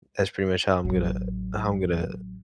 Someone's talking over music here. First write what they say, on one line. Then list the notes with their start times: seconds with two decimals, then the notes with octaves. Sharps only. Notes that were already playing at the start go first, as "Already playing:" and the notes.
that's pretty much how I'm gonna how I'm gonna
0.85 A1 F#3